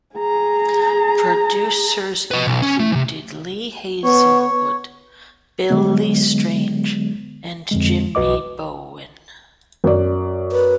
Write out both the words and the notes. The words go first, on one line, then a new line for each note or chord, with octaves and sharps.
Producers included Lee Hazlewood, Billy Strange and Jimmy Bowen.
G#4 A#5
B4 D#5
B1
C#4
A3
C3 E3
B3 C#5
C#5
D3 F#3 G#3 B3
F2 D3 G#3
B1 F#4 B4 D#5 D6
F#2 D5
B4